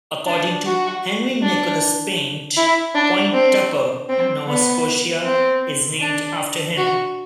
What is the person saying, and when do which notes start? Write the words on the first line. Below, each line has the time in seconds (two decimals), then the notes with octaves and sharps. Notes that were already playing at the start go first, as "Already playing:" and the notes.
According to Henry Nicholas Paint, Point Tupper, Nova Scotia is named after him.
0.27 D4
0.66 F#4
1.42 D4
2.57 E4
2.95 D4
3.33 C4
4.09 C4
4.48 B3
5.24 C4
6.01 D4
6.77 F#4